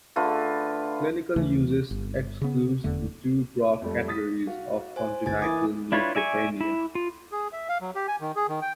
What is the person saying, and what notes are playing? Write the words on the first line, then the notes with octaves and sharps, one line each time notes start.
Clinical usage excludes two broad categories of congenital neutropenia.
D3 A3 F4 B4
D#2 C#3 E3 A3
G1
C#3 B3
F1 E2 D3 A3
F2 G3 A3
D#6 A6 B6
F#4 F5
C5 G#5
G1 G#5 G#6 A6
E3 A#3 E4 G#5 D6 D#6
D4 E4 F4 B4 C#5
D5 E5 G#5 A5 C#6
E4
F4
G#4
E5
F5
F#3
G4
G#5
D#3
G#4
D#3
G5